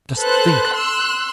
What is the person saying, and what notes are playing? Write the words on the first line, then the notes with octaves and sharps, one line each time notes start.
Just think!
A4 B4 C5 F#6
C6 E6 F#6